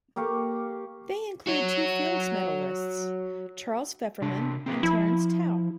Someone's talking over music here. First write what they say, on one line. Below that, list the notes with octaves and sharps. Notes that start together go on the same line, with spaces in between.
They include two Fields medalists, Charles Fefferman and Terence Tao.
A#3 G4 F5 C#6
F#4 C#5
C3 D4
C4 G#4 B4
F3 E4